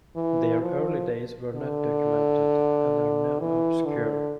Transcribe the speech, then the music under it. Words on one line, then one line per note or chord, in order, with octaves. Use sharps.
Their early days were not documented and are now obscure.
E3
F3
D3
E3
D3